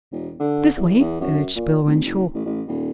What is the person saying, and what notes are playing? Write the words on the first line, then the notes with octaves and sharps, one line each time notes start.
"This way," urged Bill Renshaw.
E1
D3
E2
E2
F#2
A#2
D1
F#1
A1
A1
D#1